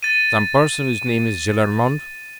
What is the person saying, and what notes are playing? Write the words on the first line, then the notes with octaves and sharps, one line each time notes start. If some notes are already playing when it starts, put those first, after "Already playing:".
"Some person whose name is Gillenormand?"
A6 D#7